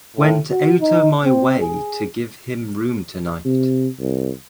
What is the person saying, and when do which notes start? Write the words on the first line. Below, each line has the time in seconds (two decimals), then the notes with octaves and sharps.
Went outta my way to give him room tonight.
0.16 A2
0.50 F#4
0.80 D#4
1.24 C4
1.60 G#4
3.45 C3
4.00 C2